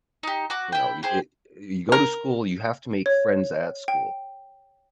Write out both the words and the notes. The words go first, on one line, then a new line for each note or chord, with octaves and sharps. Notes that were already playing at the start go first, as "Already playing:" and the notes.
you know, it you go to school, you have to make friends at school.
D#4 G4
F#4 D6
E4 G5
G4 G#4 C5
A#4
C#5
G5